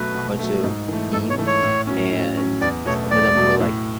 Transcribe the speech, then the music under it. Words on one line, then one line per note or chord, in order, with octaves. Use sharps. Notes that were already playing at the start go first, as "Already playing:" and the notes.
a bunch of beans and some of them were, like,
Already playing: B2 F#3 A3 B4
B2
F#3 A3
G#2
E3 A3
G#2 A4
C#5
E3 A3
C#5
A2
F#3 C#4
A2
F#3 C#4
E2 D5
B2 F#3 A3 C#5
E2 D5
B2 F#3 A3
A2